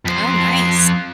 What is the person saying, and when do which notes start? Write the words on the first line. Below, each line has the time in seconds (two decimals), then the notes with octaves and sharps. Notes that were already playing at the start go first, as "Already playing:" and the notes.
Oh, nice.
0.05 F2 C5